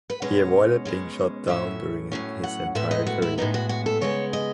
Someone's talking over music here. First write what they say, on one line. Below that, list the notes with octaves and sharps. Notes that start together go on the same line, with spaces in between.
He avoided being shot down during his entire career.
B4
B2 G#3 C#4 C#5
B2 G#3 C#4
A2 F#3 C#4 E5
A2 F#3 C#4
F#5
A2 G#3 B3 E5
D#5
F#4
E4
A2 G#3 B3 D#4
F#4
F#4
A4
C#3 G#3 B3 C#5
D#5